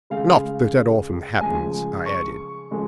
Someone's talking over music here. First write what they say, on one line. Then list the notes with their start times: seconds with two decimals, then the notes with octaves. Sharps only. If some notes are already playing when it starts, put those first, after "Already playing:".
"Not that that often happens," I added.
0.10 C#3 G#3 F5
1.41 C#3 F3 G#3 G#5
2.06 C#6
2.71 C#3 F3 G#3